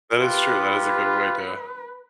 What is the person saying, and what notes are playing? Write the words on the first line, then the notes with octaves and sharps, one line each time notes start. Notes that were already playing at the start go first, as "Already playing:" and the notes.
That is true. That is a good way to
F4 G4 B4